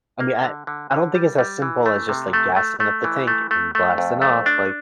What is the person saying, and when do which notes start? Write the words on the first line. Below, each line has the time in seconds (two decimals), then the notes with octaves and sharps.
I mean, I I don't think it's as simple as just, like, gassing up the tank and blasting off, like
0.20 A#3
0.44 D3
0.67 D3
0.91 D3
1.15 G3
1.39 G3
1.62 E3
1.86 A3
2.09 C3
2.33 A3
2.56 A3
2.80 A3
3.04 E3
3.27 A3
3.51 A3
3.75 A3
3.98 F2
4.22 A3
4.46 D4